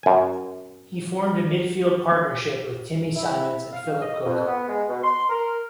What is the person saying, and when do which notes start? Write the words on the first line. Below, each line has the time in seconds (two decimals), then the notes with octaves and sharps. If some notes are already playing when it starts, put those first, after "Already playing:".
He formed a midfield partnership with Timmy Simons and Phillip Cocu.
0.03 F#2 G#5
3.16 E4
3.73 F5
4.01 D#5
4.25 F2
4.46 B3
4.68 G#3
4.89 B2
5.02 C6
5.29 A#4